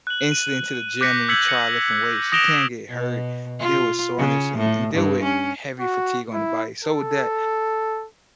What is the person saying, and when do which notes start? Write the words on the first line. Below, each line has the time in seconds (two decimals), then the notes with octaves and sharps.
instantly into the gym and try lifting weights, you can get hurt, deal with soreness, and and deal with heavy fatigue on the body. So with that,
0.07 F#6 F#7
0.32 D#7
1.01 D6 F#6 G6 A#6 B6 C#7
1.29 E6 G6 G#6 B6 C#7 F#7
1.48 C#7
2.32 D#6 A#6 D7 E7 F7 G7
2.90 B2
3.60 F4
4.18 C#3
4.58 A2
4.94 G2
5.24 C#4
5.80 F#4
6.33 E4
6.85 A4